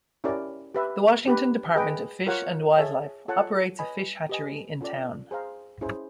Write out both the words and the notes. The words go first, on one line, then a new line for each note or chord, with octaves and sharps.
The Washington Department of Fish and Wildlife operates a fish hatchery in town.
C#4 E4 G4 A#4 D5
G4 B4 E5
D4 G4 B4
G#4 B4 D#5 G5
F4 A#4 C#5 F#5
G#4 C#5 E5 A5
F4 A4 C#5 F#5 A5
B4 D#5 G#5 B5
G4 B4 D#5 G#5
C#4 F4 A4 D5
G#4 C5 F5 A#5
C#4 E4 G#4 C5